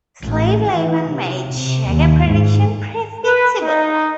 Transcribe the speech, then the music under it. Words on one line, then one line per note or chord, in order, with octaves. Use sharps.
Slave labour made sugar production profitable.
A1
E3
C3
C3
D#2
G#2
B4
D#4